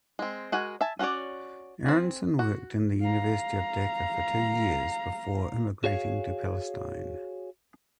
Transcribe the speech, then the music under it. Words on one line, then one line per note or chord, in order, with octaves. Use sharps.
Aronson worked in the University of Dhaka for two years before immigrating to Palestine.
G#3 C4
G#3 F#4 A#4 G#5
E5 G#5 A5
C#4 F#4 G#4 C#5 D5
C4 G#4
F#4
F5 A#5
F#4 G#4 C#5 F5